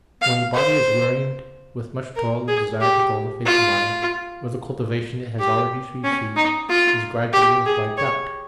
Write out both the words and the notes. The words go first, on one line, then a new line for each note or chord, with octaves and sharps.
When the body is wearied with much toil the desire to cultivate the mind, or the cultivation it has already received, is gradually wiped out.
F5
C5
A#4
G#4
G4
F4
G4
C#4
D#4
F4
G4
G#4
C#5